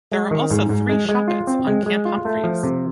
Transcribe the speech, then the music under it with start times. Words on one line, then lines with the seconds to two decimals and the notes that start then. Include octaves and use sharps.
There are also three Shoppettes on Camp Humphreys.
0.12 G#3
0.31 D#3
0.50 G#2
0.69 G#2
0.89 G#3
1.09 G#3
1.28 F4
1.47 C4
1.67 G#3
1.86 G#3
2.05 F4
2.25 A3
2.44 F3
2.63 C3